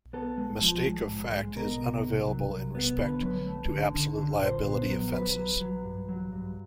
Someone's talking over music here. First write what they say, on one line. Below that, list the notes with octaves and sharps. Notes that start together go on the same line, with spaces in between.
Mistake of fact is unavailable in respect to absolute liability offences.
B3 A4
G#3
F3
G#3
G#2
G#3
B2 A#4
C2
C2
F#3
C2
B3
D3 B4
F#3
A3
D3
D3
D3
A#2 C5
B3
F#3
F#3 B4
F#3
F#3
G2
F#3
G2